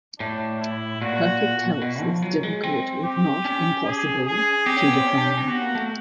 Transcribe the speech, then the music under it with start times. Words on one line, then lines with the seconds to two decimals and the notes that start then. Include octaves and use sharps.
Perfect health is difficult, if not impossible, to define.
0.20 A2 D4
0.60 E4
1.01 A#2 F#4
1.82 B2
2.02 F3
2.22 F#3
2.43 G#3
2.63 C4
3.04 G4
3.45 C#4
3.85 G#4
4.26 G#4
4.66 C4 G4
4.77 C#4
4.87 B3
4.97 C4
5.07 C#4
5.18 D4
5.27 C#4
5.37 C4
5.47 B3 F#4
5.61 A#3
5.75 A3